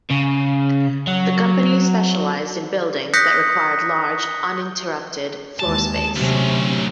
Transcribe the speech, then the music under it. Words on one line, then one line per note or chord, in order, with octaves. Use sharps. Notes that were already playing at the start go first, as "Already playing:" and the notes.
The company specialized in buildings that required large, uninterrupted floor space.
C#3
F#3
D#6 F#6 G6 A#6 B6 C#7
D#2 G#3 A5
D2 C3 F#3 C#4